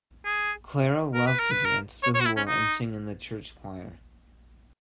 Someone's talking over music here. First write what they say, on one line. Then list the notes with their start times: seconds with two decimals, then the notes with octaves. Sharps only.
Clara loved to dance the hula and sing in the church choir.
0.25 G#4
1.14 A#4
1.27 B4
1.39 A#4
1.52 B4
1.65 A#4
2.03 C#5
2.14 C#5
2.21 F#4
2.25 E4
2.37 C#4
2.48 D#4